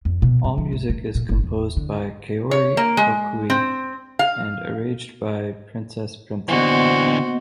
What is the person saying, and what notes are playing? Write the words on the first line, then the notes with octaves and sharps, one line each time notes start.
All music is composed by Kaori Okui and arranged by Princess Princess.
F2
B2
G2
F3
G#1
A3
A#2
G1
E2
D3
C#5
A#3
G#3
C4
F5
D3 E3 A#3 B3 F#4 C5 D#5